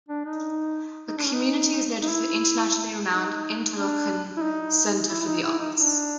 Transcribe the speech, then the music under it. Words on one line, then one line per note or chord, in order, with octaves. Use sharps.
The community is noted for the internationally renowned Interlochen Center for the Arts.
D4
D#4
D#4
D4
C#4
D#4
D#4
E4
D#4
D4
E4
D#4
E4
E4
D#4
E4
D#4
D4